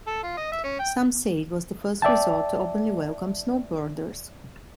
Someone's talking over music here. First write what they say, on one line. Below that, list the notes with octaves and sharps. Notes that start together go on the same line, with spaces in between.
Some say it was the first resort to openly welcome snowboarders.
A4
F4
D#5
E5
C#4
G5
D5 E5 G5 A5